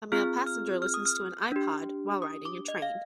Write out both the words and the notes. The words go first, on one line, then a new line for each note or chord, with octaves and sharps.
A male passenger listens to an iPod, while riding a train.
C4 F4 G#4 F6
F6
F6
D#6
F6
D4 G4
D#6
D6
D#5
F5